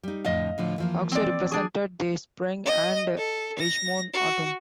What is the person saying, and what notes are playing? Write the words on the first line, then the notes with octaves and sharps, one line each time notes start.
Auxo represented the spring, and Hegemone autumn.
G3 D#4
F2 A2 D3 D#5 F5
A2 D3 F3
E3 F3 A#3
C4 D5
D4 G#4
D#5
A4
A#6
F#4